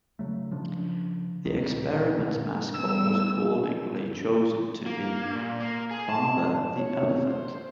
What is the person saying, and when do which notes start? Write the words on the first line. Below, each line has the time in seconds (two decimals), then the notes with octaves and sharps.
The experiment's mascot was accordingly chosen to be Babar the Elephant.
0.19 C#3 F#3 A3
0.51 C#3 F3 D4
1.44 D1 C#2 D#3
1.63 B2
1.78 A#2
2.19 A#2 D3
2.74 E2 G3 E6
4.86 A#3
5.35 A#2
5.60 A#3
5.91 G#4
6.09 A5
6.75 C#5
7.26 C5